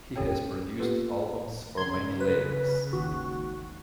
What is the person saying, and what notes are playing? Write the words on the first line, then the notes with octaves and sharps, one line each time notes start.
He has produced albums for many labels.
C#4 G4 A4 C#5 G5
A#3 B3 F4 G4 A4 B4
C#3 C6 G#6
B4
G#1 D#2 F#4